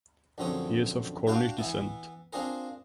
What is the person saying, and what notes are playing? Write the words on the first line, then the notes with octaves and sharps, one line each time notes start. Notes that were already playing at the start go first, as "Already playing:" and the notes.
He is of Cornish descent.
A#1 F#2 D3 C4 C#5 D#6
D4 F#4 D5 F5 G5 A5
E3 B3 E4
A#3 C4 D4 F4 G#4 A#4